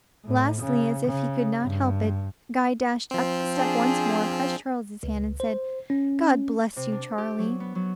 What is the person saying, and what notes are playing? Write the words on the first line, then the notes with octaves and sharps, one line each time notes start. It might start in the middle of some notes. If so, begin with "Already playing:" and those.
Lastly, as if he could not help it, Guy dashed up the step once more, pressed Charles's hand, and said, 'God bless you, Charlie!'
A2
C#3
C#3
G2
F3 C4
D4 G#4
C#2
C5
C#4
C3
D4
G4
F#3
B3
F#3